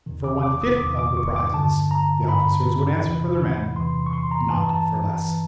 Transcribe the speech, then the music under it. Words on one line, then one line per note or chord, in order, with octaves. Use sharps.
For one fifth of the prizes, the officers would answer for their men; not for less.
E2 C3 D#3
D6
D6
D#6
E2 C3 D#3 D6
D6
C#6
D6
G2 D3 A5
A#5
G2 D3 B5
E2 C3 E3
E2 C3 E3 C6
C#6
C6
A#5
G2 E3 A5
A#5
A5
E3